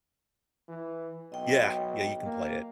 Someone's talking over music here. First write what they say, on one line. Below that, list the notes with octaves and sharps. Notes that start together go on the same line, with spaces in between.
Yeah, yeah, you can play it.
E3
B1 D#5 G5
A#3